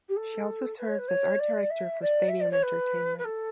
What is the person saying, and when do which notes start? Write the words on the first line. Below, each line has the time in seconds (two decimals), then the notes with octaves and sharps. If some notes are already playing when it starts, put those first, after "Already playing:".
She also served as Art Director for Stadium Entertainment.
0.09 G4
0.16 A4
0.78 B4
0.88 C#5
0.98 B4
1.08 C#5
1.39 D5
1.70 E5
2.02 D5
2.28 E5
2.40 D5
2.51 C#5
2.63 B4
3.18 B4
3.24 A4